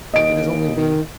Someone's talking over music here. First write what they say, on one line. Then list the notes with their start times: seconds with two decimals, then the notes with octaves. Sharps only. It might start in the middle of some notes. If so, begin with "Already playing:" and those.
"It is only me."
0.14 D#2 D#5 D7
0.77 D#3